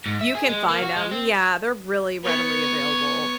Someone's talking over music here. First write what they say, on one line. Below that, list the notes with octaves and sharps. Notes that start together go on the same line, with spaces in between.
You can find 'em yeah, they're really readily available.
G#2
E5
G#4
G#3
A#3
F#4
G#3
C4
B3 C#5